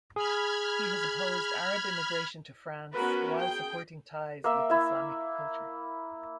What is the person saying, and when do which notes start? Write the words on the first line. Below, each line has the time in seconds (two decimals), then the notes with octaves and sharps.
He has opposed Arab immigration to France, while supporting ties with Islamic culture.
0.16 G#4 B5 F6 G#6
2.94 B3 C#4 F#4 A#4 B4
3.39 G#4 G5
4.44 A#3 E5
4.70 E4 E5